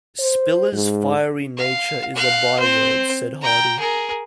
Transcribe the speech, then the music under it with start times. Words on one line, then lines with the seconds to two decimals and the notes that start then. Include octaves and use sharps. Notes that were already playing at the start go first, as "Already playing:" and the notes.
"Spiller's fiery nature is a byword," said Hardy.
0.19 C5
0.72 G#2
1.57 F5
2.15 F5 F#6
2.59 C4 C5
3.41 G5 A#5
3.79 G#4 A#4